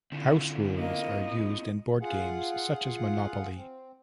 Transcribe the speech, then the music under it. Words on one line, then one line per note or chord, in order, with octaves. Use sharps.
House rules are used in board games such as Monopoly.
D3 C4 E4 F4
A#3 D#5
F4 G#4 F5 F#5
C4